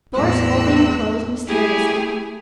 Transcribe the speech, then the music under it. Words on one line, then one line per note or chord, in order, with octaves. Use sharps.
Doors opened and closed mysteriously.
E2 A2 G#3 C4 E6 F#6
A3 E4 G4 G#4 G#5